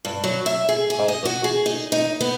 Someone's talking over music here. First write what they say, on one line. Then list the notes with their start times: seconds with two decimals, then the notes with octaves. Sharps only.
Call the police.
0.05 G2
0.24 F#3
0.46 E5
0.69 G#4
0.90 G#4
1.08 D#5
1.25 F#4
1.44 G#4
1.66 D#4
1.92 D#4
2.21 B3